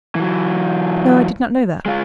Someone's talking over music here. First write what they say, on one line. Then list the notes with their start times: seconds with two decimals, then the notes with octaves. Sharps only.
"No, I did not know that."
0.15 E3 F#3
1.86 G#3 F4